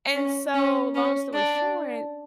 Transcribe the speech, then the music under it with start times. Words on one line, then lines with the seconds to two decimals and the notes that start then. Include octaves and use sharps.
And so, long story short,
0.15 C#4
0.55 C#4
0.95 C#4
1.34 D4